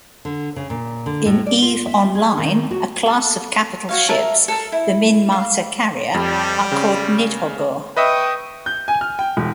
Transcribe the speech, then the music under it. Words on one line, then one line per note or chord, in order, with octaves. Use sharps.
In Eve Online, a class of capital ships, the Minmatar carrier, are called Nidhoggur.
D3
C#3
A#2
D3
A2
D5
F4
E5
G#4
D#3
F#4
A4
F#4 C#5 F5
A#4 E5 A5
A4 A#4
E4
F5
F2 G3
C#3
B4 D#5 E5 G5 C#6 D#6
G6
G#5
F6
G5
E1